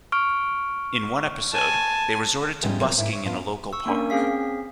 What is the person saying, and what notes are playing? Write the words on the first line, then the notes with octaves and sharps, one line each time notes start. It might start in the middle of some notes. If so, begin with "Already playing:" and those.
In one episode, they resorted to busking in a local park.
C#6 F6 D7
G#5 A5
E2 G#2 F3 G3 G#3 C#4
F3 F#3 A#3 C4
G#2 A#3 E4
C#5
B3 D4 F4
C#6 E6
A#3 C#4 D4 A#4
C4 C#4 G#4 F5 B6